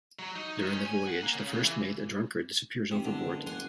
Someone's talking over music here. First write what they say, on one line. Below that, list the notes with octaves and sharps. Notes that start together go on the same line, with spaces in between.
During the voyage, the first mate, a drunkard, disappears overboard.
F#3
D#4
D#3
C#4
G#5
F#5
A#3
C#3
C#3
E3
F1 C3
E1 D3
F#1
F#5 G#5 C6